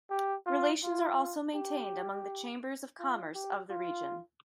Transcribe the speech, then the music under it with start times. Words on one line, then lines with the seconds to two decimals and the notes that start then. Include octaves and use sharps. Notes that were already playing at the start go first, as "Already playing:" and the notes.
Relations are also maintained among the Chambers of Commerce of the Region.
0.10 G4
0.46 F4
0.83 F4
1.55 G4
2.99 F4
3.35 G4
3.70 F4